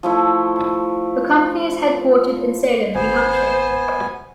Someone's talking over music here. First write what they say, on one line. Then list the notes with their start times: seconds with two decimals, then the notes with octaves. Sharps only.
The company is headquartered in Salem, New Hampshire.
0.03 F3 A3 E4
2.95 G#1 B3 C5 G#5